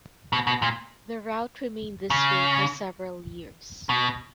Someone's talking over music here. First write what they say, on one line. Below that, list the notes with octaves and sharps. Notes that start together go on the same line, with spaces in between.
The route remained this way for several years.
B2
B2
A#2
C#3
B2